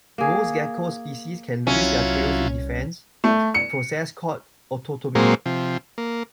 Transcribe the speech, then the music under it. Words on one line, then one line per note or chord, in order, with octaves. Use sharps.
Most gecko species can lose their tails in defense, a process called autotomy.
A#3 G#4
C2 F#3 C#4 E4 F4
A3
C#7
A#2 F#3 G#3 A#3 C4
C3 F3
A#3